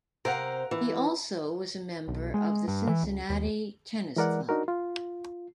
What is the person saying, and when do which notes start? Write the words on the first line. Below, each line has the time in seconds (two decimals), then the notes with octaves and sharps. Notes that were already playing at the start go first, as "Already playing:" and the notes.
He also was a member of the Cincinnati Tennis Club.
0.25 C3 A#4 C5 F5 F#5
0.71 E3
2.08 B1
2.34 G#3
2.68 G2
2.89 E3
3.03 C#2
3.30 D#2
4.16 E3 G#3 A#4 D5 F#5
4.49 D4 D#4 F#4 A#4
4.68 F4